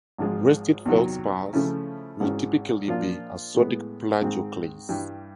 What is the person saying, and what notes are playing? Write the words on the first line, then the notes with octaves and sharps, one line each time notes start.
Restite feldspars will typically be a sodic plagioclase.
G#1 G#2 F3 G#3
E2 C3 D#3 F#3
C#3 F3 A3 C#4 E4
G#1 G#2 E3 G#3 C#4
A#2 F3 A#3 D4 F4
A2 E3 G#3 B3
G#2 D#3 G#3 C4
G2 E3 G3